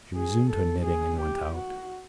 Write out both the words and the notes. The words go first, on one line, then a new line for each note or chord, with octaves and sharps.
She resumed her knitting and went out.
G#4
A4
G#4
G4
F#4